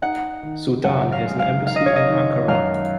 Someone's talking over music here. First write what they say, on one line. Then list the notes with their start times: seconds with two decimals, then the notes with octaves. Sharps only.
Sudan has an embassy in Ankara.
0.02 D#4 F#5
0.43 D#3
0.84 F#2 F#5
1.12 F5
1.26 G#3
1.39 F5
1.67 D#4 F5
1.76 D#5
1.86 C#5
1.96 D#5
2.07 D#3
2.48 F#2 F5